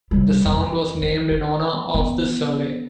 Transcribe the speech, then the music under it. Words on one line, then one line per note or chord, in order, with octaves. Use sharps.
The sound was named in honour of this survey.
C3 G3
F2
F3
D4
B3